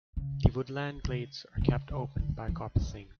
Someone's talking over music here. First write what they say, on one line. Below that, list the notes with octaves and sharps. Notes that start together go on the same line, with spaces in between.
The woodland glades are kept open by coppicing.
C#3
C#3
C#3
C#3
D3
E3
D3